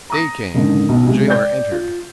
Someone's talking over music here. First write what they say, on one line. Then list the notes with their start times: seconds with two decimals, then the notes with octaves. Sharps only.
Day came, the jailer entered.
0.10 A#5 D#6 A#6
0.54 F#1 G#2 D3
0.89 B1 B2
1.06 C3 F#3 G#3
1.28 D5 G5 G6
1.71 F4